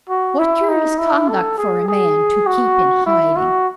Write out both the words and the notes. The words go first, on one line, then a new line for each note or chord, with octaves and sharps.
"What curious conduct for a man--to keep in hiding!"
F#4
E4
D#4
E4
A4
G#4
G#4
F#4
E4
F#4